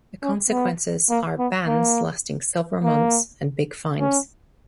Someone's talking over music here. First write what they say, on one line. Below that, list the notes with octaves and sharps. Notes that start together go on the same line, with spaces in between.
The consequences are bans lasting several months and big fines.
C#4
B3
A#3
B3
A#3
A#3
C#4